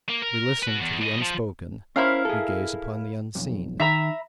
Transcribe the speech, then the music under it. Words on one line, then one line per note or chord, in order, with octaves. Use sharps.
We listen to the unspoken, we gaze upon the unseen.
A#3
A#4
F#4 B4
E2
A2 D#5
F3
C#4 E4 A#4 C5 F5
G#4 A4
B1 F2
D#3 E5 A#5 B5